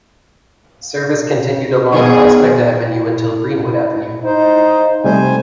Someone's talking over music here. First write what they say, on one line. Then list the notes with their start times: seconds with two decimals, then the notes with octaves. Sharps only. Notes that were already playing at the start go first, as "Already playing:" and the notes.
Service continued along Prospect Avenue until Greenwood Avenue.
1.93 D#3 F3 B3 G#4
2.86 E4
4.25 D#4 C5
5.04 C3 G3 A3 C5 G#5